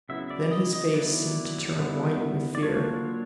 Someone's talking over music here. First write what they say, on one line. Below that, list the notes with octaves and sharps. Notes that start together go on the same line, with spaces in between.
Then his face seemed to turn white with fear.
C#3 F#3 B3 E4 E5
D5
D#5
D#5
F#3 B3 E4 D5
D3 G3 B3 E4
D5
F#3 A#3 D4 F4 C#5